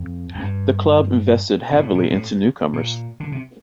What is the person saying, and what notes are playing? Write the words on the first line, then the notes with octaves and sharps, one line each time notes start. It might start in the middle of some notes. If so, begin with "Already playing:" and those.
The club invested heavily in newcomers.
Already playing: F2
F2
G2
A#2
A2
A#2
A2
A#2
D3
C3